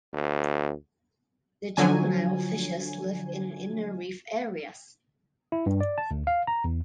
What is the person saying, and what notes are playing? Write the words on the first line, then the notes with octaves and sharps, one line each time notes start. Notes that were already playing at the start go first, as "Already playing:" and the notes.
The juvenile fishes live in the inner reef areas.
D2
D3 F3 F#3 G#5
E4
G2
D5
A5
D2
F5
A#5
E2